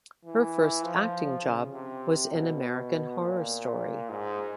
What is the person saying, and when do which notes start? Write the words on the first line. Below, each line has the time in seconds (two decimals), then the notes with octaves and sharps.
Her first acting job was in "American Horror Story".
0.25 E3
0.84 F3
1.43 C#3
1.73 C3
2.31 B2
3.19 A#2
4.09 G#2